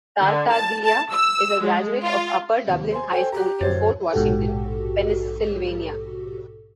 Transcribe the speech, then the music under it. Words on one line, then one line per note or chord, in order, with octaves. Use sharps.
Tartaglia is a graduate of Upper Dublin High School in Fort Washington, Pennsylvania.
D3
A5
A5
E6
G#3
F4
D#2 C3
C5 G#5 C6
A4 C5 G5 G#5
G4 A#5 F#6
D1 F#2 C5 C#5 A6
A#1 G#2 B2 F#4 G4 A4